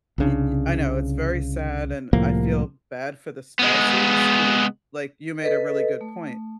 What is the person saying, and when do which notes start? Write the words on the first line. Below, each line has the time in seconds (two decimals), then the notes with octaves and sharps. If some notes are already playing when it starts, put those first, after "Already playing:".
I i I know it's very sad and I feel bad for the spouses who, like You made a really good point.
0.18 C2 C#3 D4
2.13 C2 A2 F3 A#3
3.59 G#3 B3
5.42 A4 B4 D#5
6.01 A3